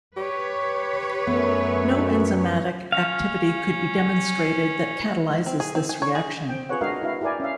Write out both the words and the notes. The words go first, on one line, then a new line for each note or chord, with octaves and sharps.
No enzymatic activity could be demonstrated that catalyzes this reaction.
G4 B4 C#5
F#2 A3 B3
C#4 F5
C4
G#4
C4
G#5
C#5
G#4
C4 G5
F4 G#4 B4 C#5 F#5
G#3 D4 F#4 A#4 D#5 F5
E4 F#4 B4 F5
E4 G4 A#4 D5 G#5
C#4 E5 F5